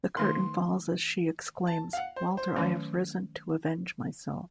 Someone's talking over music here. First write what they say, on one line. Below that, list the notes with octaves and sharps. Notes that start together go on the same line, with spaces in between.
The curtain falls as she exclaims: Walter, I have risen to avenge myself.
D#3 A3 D#4 A#4 C6
A5
F5
F#5
C5
C5
D#3 F#3 A3 C#4